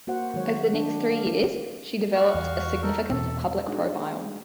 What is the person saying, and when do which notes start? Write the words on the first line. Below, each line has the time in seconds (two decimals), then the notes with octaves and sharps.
Over the next three years, she developed a significant public profile.
0.07 A#3 F#4 C5 F#5
0.34 D#3 F#3 G#3 C#5
0.74 D4
1.09 A#3 F5
2.15 F#4 F5 C#6
2.35 E2
2.82 D#4 A4 A#4
3.11 E2 B2 A4
3.67 G#3 D4 D#4 F#4 G#4